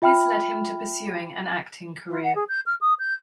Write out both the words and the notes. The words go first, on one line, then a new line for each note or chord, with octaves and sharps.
This led to him pursuing an acting career.
F4 E5 G5 B5 F6
F4
F#5
G#4
G6
F6
D#6
G6